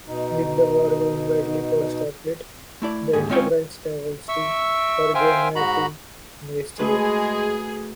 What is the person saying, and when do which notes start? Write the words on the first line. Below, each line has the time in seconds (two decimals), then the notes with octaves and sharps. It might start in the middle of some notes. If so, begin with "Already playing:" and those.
With the war going badly for Starfleet, the "Enterprise" travels to Organia to investigate.
0.07 B2 D#4
2.82 A3 E4 D5
3.13 D#2 G#2 G#4
3.29 G#3 C4 C#4 F4 C#5 G5
4.29 E5 C#6 E6
5.15 C5 E5 F5 G5 G#5
5.56 G#2 F#4 A#5 B5
6.79 G#3 A3 F#4 G#4 B4